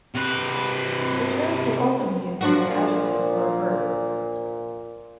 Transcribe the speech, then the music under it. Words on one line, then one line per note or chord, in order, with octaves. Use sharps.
The term can also be used as an adjective or a verb.
C3 B4
A#2 F3 D4 F#4